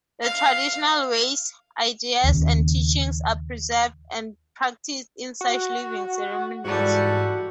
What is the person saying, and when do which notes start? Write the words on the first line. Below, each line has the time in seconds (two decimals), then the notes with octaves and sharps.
The traditional ways, ideas, and teachings are preserved and practiced in such living ceremonies.
0.23 F5
2.24 D#2 C#3
5.41 F#4
6.64 G#2 E3 G3 F#4 A4